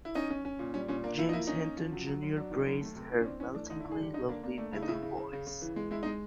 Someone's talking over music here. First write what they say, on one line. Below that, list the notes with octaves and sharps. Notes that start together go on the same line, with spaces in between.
James Hinton, Junior praised her "meltingly lovely middle voice".
E4
C#4 D#4
C#4
C#4
A#2
G3 C#4
A#2 C#4
A#3 D4
F3 E4
D#4
A#3 E4
C#4 D#4
C#4
F3
F#3
F#3
F#2
F#3 D4
D#3
F#2
A3
C3
E3
C#4
C4 D4
E3 C#4
A3 D4
D3 D#4
E4
D3
G#4
G3 G4
D3 D#4
A#3 D4
A#3 D4
A3 D4
C#3 E4
D#4
C#3 E4
C#3
C#3
C#3
C#3
E3
G#3
G#3 E4
D#4
G#3